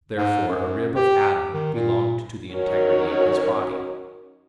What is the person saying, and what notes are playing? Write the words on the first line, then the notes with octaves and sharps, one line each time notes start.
Therefore a rib of Adam belonged to the integrity of his body.
G#2
F#2
G4
D#3
A#2
D#3 F#3 C#4 F#4 A#4 C#5